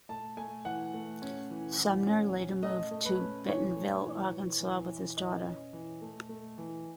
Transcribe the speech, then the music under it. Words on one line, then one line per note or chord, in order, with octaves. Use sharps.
Sumner later moved to Bentonville, Arkansas with his daughter.
A3 A5
A3 G#5
E3 F#5
A3
C#4
E3
E3
C#4
C#4
A3 D#5
A3
B4
C#4
E3 C#5
A3
E3
E3
E3
E3
E3 D#5
C#4
E3
A3
A3
E3